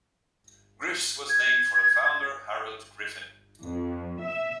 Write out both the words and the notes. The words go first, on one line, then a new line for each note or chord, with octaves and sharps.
Griff's was named for the founder, Harold Griffin.
G#6
F2
E5